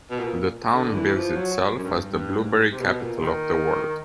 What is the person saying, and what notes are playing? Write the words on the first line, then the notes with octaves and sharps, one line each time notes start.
The town bills itself as the "Blueberry Capital of the World".
B2
A#2
D3
E3
F3
F#3
F#2
G2
G2
G#2
C3
B2
A#2
D#3